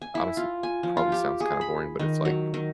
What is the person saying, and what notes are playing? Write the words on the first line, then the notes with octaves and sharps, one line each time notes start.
honestly, probably sounds kinda boring, but it's, like
G#5
E4
F4
G#5
F3
F4
G4
G#4
B5
D#3
F#3
D#3